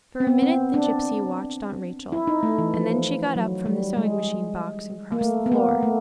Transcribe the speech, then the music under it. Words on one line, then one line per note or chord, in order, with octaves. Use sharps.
For a minute the gipsy watched Aunt Rachel, and then she got up from the sewing machine box and crossed the floor.
C4
B3
C4
D4
E4
D#4
A3
E3
F3
F#3
G3
G#3
A#3
A3
B3
A#3
A3